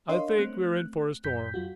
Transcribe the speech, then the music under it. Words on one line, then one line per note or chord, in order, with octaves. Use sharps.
"I think we're in for a storm."
D4 A#4 C#5 D#5 F5 C6
A3 C4 F#6
F#2 G6 B6
F#2 F#3 F4 F#4